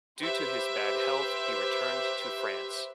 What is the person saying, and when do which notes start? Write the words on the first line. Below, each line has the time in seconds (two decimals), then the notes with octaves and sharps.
Due to his bad health he returned to France.
0.19 G4 B4 C5 E5